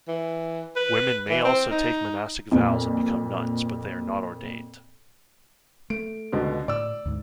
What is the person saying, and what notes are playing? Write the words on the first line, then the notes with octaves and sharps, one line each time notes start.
Women may also take monastic vows and become nuns, but they are not ordained.
E3
B4
E3
C4
D#4
F2 A#2
A3 D7
C#2 B2 D3
A2 D5 E6
D2 G#2